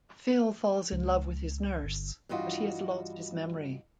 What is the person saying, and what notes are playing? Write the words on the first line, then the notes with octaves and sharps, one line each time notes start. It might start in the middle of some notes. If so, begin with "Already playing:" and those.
Phil falls in love with his nurse but he has lost his memory.
C#2
G1
G2 E3 G3 F4 F#4 D#5